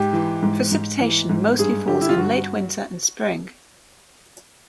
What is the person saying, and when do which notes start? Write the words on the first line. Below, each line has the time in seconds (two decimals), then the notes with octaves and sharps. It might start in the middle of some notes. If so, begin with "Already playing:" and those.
Precipitation mostly falls in late winter and spring.
Already playing: G#2 G4
0.13 E3
0.43 G#2
0.72 G#2
1.01 E3
1.29 G#2
1.59 G2 G#4
1.88 D3 G4
2.01 E4
2.09 F4
2.17 G2 F#4